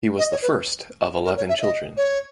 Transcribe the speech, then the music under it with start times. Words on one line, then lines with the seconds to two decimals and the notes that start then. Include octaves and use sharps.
He was the first of eleven children.
0.18 D#5
0.31 C#5
0.42 B4
1.25 A#4
1.37 C#5
1.48 E5
1.61 D#5
1.97 C#5